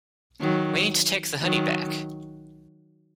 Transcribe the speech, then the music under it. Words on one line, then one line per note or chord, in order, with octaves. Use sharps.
We need to take the hoodie back!
D#3 F#3
D#3 F#3